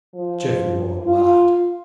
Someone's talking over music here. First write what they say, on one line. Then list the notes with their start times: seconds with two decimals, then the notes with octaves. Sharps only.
Geoffrey Ward laughed.
0.14 F3
1.03 F4